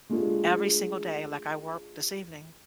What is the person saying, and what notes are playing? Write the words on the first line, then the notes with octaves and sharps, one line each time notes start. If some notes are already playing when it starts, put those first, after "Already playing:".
every single day, like, I worked this evening,
G#3 A3 D4 F4 G4 G#4